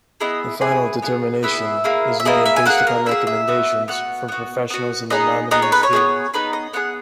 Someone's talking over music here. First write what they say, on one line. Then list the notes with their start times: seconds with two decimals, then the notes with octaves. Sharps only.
The final determination is made based upon recommendations from professionals in the nominee's field.
0.20 B3 E4 G#4 D#5
0.61 B3 E4 G#4 G#5
1.02 B3 E4
1.06 G#4
1.43 B3 E4 G#4 E5
1.84 A#3 E4 G#4
2.20 E5
2.25 A#3 E4 G#4 D#5
2.46 E5
2.56 G#5
2.66 A#3 E4 G#4 F#5
2.87 A#4
3.06 A#3 E4 E5
3.11 G#4
3.27 E5
3.48 B3 F#4
3.88 B3 F#4 F#5
4.28 B3 F#4
4.70 B3 F#4
5.10 B3 D#4 G#4 D#5
5.51 B3 D#4 G#4 D#5
5.62 C#5
5.72 B4
5.83 C#5
5.93 B3 D#4 G#4
6.34 B3 D#4 G#4 B4
6.53 D#5
6.73 B3 E4 G#4 F#5